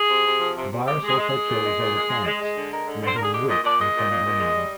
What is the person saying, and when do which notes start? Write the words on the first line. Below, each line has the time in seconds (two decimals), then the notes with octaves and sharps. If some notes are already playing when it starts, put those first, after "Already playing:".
The virus also kills all the plants, making them wilt and turn brown.
Already playing: G#4
0.09 C3
0.25 C3
0.39 F3
0.56 C3
0.70 C3
0.86 G#3 G4
1.01 G#3
1.07 G#4
1.17 G#3
1.28 G#4
1.33 G#3
1.48 A#2
1.63 G#3
1.78 A#2
1.95 G#3
2.09 G#3
2.25 G#3
2.41 G#3
2.56 D3
2.71 G#3 A#4
2.87 D3
3.01 D3 C5
3.15 D3 A#4
3.23 G#4
3.32 G#3 G4
3.48 A#2 D#5
3.63 A#2 D5
3.79 G#3 D#5
3.95 A#2
4.10 A#2
4.25 A#2
4.40 G#3
4.55 G3